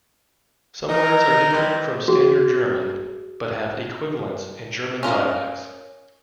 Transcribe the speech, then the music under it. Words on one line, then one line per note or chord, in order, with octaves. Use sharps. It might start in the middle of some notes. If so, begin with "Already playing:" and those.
Some words are different from Standard German but have equivalents in German dialects.
D#4 A#4
C3 D#3 E3 G3
F#4 G#4
C#4 F4 A#4 F5